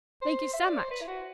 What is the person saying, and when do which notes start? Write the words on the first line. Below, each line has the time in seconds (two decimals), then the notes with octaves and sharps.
Thank you so much.
0.22 C5
0.53 E5
0.65 D5
0.78 C5
0.91 B4
1.01 E4
1.07 F#4